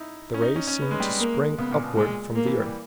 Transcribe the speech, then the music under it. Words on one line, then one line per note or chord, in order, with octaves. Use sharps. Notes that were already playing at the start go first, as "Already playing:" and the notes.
The rays seemed to spring upward from the earth.
Already playing: D#4 E4
C#4
D#4
C#4
C#4
B3
G#3
G3
G#3
A#3
C#3 B3
A#2
B2
A#2 G#3
A#3
E3
G3